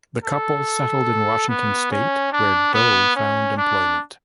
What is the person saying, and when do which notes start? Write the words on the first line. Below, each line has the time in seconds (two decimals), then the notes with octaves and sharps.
The couple settled in Washington state, where Doe found employment.
0.24 A4
1.49 B3
1.91 C#4
2.32 D4
2.74 B3
3.16 C#4
3.57 D4